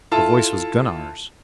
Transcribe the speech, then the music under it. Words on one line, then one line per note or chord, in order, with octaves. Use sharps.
The voice was Gunnar's.
E4 F4 A4 A5